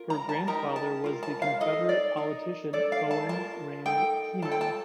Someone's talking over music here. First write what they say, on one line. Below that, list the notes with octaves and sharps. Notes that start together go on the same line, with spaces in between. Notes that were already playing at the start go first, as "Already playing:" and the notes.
Her grandfather was the Confederate politician Owen Rand Kenan.
Already playing: F4 A#4
A#5
A5
D#4 G4 A#4 A#5
A5
F4 A#4
A5
F5
D#4 A4 D#5
D5
D#4 A#4
D4 A4 D5
F5
A5
F4 A#4 A5
D#4 A4 G5
F4 A4 A5
G5
A5